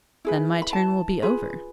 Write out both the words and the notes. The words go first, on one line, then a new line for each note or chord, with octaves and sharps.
Then my turn will be over.
E4 G#4 B4
B5
A5
F4 G#4 B4